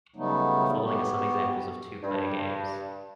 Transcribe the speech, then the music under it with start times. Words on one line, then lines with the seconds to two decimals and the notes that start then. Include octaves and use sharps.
The following are some examples of two-player games.
0.16 C#3 F#3 G3 A3 B3 D#4
0.83 B3 F#4 G4
2.03 G2